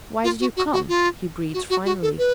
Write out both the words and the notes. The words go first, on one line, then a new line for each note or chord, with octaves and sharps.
"Why did you come?" he breathed finally.
F4
F#4
F#4
F#4
F4
F#4
F#4
F#4
A4
B4